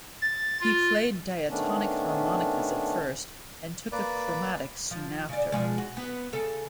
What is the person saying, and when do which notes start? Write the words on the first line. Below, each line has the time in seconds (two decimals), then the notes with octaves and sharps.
He played diatonic harmonicas at first, and took up chromatic soon after.
0.22 A6
0.61 F4
1.50 D#3 A3 B3 C#4 D4
3.92 A#3 B4 D5
4.91 F3
5.29 C#3 D5
5.52 B2 F3 G#3
5.78 F#4
5.97 B3
6.33 C#3 A4